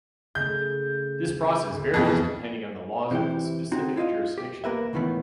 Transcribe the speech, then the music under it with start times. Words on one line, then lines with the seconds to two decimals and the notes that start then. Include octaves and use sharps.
This process varies depending on the laws of the specific jurisdiction.
0.35 C#3 A3 G6
1.71 D2 G#2
1.94 F2 B2 E3
3.11 C3 E3 E4 G4
3.72 C4 D#4 F#4
3.96 E4 F4 D5 D#5 F5
4.38 G4
4.64 A#3 A#4 B4 E5
4.93 C#2 A2 D#3 E3 B3